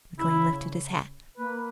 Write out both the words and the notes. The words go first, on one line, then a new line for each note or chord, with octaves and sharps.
McLean lifted his hat.
C#3
E4
A#3 B4